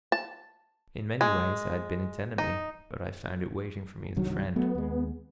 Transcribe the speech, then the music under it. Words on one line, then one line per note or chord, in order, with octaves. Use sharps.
In many ways I had been its enemy, but I found it waiting for me as a friend.
A5
G#3
D#4
C2 G2 D#3 F#3
F#3 A3 B3
D#2 G#3